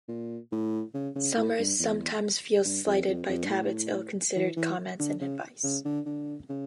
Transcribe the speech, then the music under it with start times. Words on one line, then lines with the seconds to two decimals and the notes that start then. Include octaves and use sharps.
Summers sometimes feels slighted by Talbot's ill-considered comments and advice.
0.09 A#2
0.52 A2
0.94 C#3
1.15 C#3
1.37 A2
1.59 G2
1.79 E2
2.65 G2
2.87 F2
3.07 F2
3.29 F2
3.44 G2
3.50 A2
4.36 E3
4.57 E3
5.00 D3
5.21 C#3
5.64 C#3
5.85 D3
6.06 D3
6.49 C#3